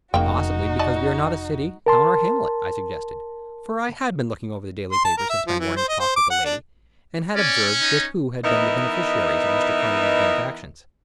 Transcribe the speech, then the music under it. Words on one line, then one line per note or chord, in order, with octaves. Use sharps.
"Possibly because we are not a city, town, or hamlet," I suggested, for I had been looking over the daily papers since my morning's talk with the lady, and had observed just who had been the beneficiaries of Mr. Carnegie's benefactions.
F1 C#3 A#3 D#4 F#4 G5
D5 D#5 A5
A#4 A5 C6
C6
A5
A#4
E5
F3
E3
C5
D#5
C5
D6
F#5
D4
C#4 D5
D#4
E3 B3 D#4 A#4 D#5 E5